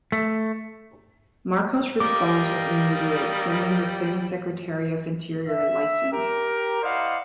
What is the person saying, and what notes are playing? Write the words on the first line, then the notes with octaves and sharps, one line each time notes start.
Marcos's response was immediate, sending the then Secretary of Interior, Lic.
A3
G3 A#4 D#5 F5 D6
E5
G4 A#4
E4 C5 D5 D#5 F5 F#5